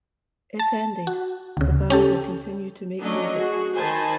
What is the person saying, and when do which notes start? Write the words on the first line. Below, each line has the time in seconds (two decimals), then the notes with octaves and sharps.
It ended: The band will continue to make music.
0.59 A5
1.07 F#4
1.57 D2 C#3
1.90 C#4 G4 A4
3.00 F#3 A3 C#4 D4 D#5
3.33 F#4 G#4
3.75 D#3 D#4 C5 G#5 A5 B5